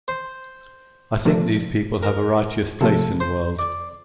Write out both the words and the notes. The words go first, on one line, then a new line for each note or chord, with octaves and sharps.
I think these people have a righteous place in the world.
C5
C3 F3 A3 D4 A4
A#4
C3 F3 A3 A4
C5
D5